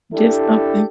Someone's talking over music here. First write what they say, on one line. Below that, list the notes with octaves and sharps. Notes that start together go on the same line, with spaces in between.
just something
D4 E4 G4 A4